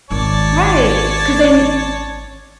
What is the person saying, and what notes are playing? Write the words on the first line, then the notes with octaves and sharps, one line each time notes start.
Right, 'cause then
G#1 D#3 C#5 D5 A5